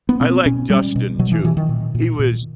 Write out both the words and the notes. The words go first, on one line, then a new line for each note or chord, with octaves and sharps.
I like Dustin too. He was
B3
B2 C4
B2 C#4
B2 G3
B2
B2 F#3
E3
B2 E3
D#3
A#2
A#2
A#2